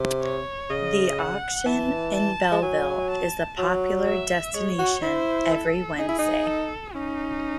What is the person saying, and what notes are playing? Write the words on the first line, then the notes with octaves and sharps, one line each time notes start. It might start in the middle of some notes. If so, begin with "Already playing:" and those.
The auction in Belleville is a popular destination every Wednesday.
Already playing: C3
C#5
C#3 D#5
F#5
E3 A5
A5
G#3
F#3 G#5
A5
F#3
E5
G#3 C#5
F#4
E4 C5
A4
D#4 G#4
E4
D#4
A4
C#4 D#4